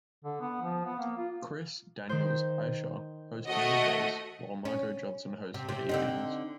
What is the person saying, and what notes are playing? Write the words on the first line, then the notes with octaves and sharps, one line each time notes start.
Chris "Daniels" Eicher hosted middays, while Margo Johnson hosted evenings.
D3
B3
F3
B3
A#3
F4
D#3 C5
A3 F#4 D#5
C#4
C3
C3
D3 C4 D#4